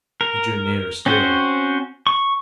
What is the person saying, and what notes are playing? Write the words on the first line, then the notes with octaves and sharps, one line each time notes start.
He drew nearer still.
A#4
C4 C#4 F#4 C5
C#6